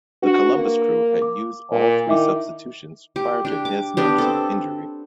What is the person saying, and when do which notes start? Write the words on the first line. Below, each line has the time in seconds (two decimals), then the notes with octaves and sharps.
The Columbus Crew had used all three substitutions prior to Hesmer's injury.
0.22 D4 F#4 B4
0.55 A#3
1.22 D6
1.71 A#2
2.07 D#3 E4 E5 D6
3.16 G4
3.45 D4 G4
3.65 D6
3.97 B3 D4 G4
4.18 C4 A4